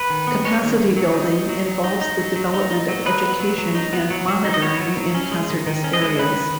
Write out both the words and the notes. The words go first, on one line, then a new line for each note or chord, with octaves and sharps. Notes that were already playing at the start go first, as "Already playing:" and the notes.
Capacity building involves the development of education and monitoring in hazardous areas.
Already playing: B4
D#3
B3
G#3 C#5
D#3
D#3
F#3
D#4
D#4
F#3
F#3
D#4
D#4
F#3
F#3
D#4
D#4
F#3
D#4 B4
B3
F#3
F#3
D#4
B3
F#3
F#3
D#4
D#5
B3 C#5
F#3
F#3
C#4
G#3
D#3
D#3
C#4
D#5
G#3
D#3 B4
D#3